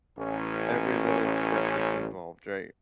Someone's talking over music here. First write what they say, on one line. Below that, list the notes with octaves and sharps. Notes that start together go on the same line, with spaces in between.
Every little step that's involved, right?
A1 C#4